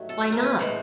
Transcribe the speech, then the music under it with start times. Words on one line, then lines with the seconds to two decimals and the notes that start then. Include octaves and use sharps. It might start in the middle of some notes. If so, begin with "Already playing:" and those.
"Why not?"
Already playing: G2 D#3 F#3 A3
0.09 A4
0.32 A#4
0.43 B4
0.58 A2 E3 G#3 C5